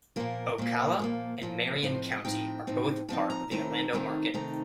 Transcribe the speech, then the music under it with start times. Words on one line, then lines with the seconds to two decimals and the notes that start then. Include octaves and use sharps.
Ocala and Marion County are both part of the Orlando market.
0.16 A#2 F3 A#3 A#4
0.58 A#2 F3 A#3
0.99 A#2 F3 A#3
1.42 A#2 F3 A#3
1.83 A2 F3 C4 D#4 C5
2.12 D#5
2.25 A2 F3 C4 D#4 G5
2.67 A2 F3 C4 D#4
3.08 A2 F3 C4 D#4 A5
3.30 A#5
3.51 C3 D#3 A3 C4 D#4 A#5
3.93 C3 D#3 A3 C4 D#4
4.34 C3 D#3 A3 C4 D#4 A#5